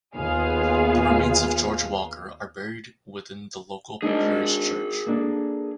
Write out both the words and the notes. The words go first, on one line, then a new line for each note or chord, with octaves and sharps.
The remains of George Walker are buried within the local parish church.
D#2 B3 F4 G#4 F5
G#3 D4 D#4 G#4 A#4
A#3 D4 A4